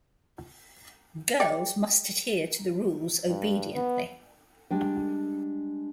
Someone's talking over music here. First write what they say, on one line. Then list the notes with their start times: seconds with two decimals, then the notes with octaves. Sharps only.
Girls must adhere to the rules obediently.
1.40 G#4 D5 G5
3.28 G2
3.74 B3
4.71 G3 G#3 D4 G5